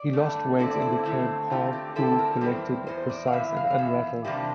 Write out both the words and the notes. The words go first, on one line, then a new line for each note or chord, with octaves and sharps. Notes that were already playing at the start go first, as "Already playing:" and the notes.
He lost weight and became "calm, cool, collected, precise, and unrattled".
Already playing: D5
G2 D3 A3
D3 A3 C4 E4 D5
D5
E4
E4
D3 A3 C4 E4
D3 A3 C4 E4 F4
G4
D3 A3 C4 E4 A4
A#4
E2 E3 G3 C4 E4
E2 E3 C5
D5
F5
E2 E3 E5
F5
F5
E2 E3 E5
E2 C3 G3 A#3 D4 G4